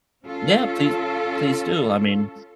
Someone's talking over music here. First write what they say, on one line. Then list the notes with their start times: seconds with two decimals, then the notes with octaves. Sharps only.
Yeah, please please do. I mean
0.23 C#4 F4 A4